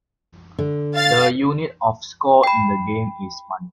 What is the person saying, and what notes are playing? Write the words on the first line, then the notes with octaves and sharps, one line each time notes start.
The unit of score in the game is "money".
D3
F5 A6
G5 B5